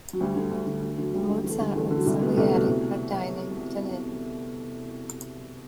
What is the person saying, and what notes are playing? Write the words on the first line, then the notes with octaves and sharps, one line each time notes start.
Mozart and Salieri are dining at an inn.
F#3
D2 G3
D3
D2
D3
D2
D3 F#3
D2 G3
D3
E2
A3
D3 G3
E2 A3
A3
D3
F#3
C2 G3
B2 B3
C2 A3
B2
C2